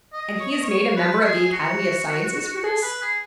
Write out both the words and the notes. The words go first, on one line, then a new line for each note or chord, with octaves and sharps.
"And he is made a member of the Academy of Sciences for this?"
D#5
C#5
D#5
C#5
B4
F#4
G#4
G#4
F#4
F#4
G#4
B4
G#4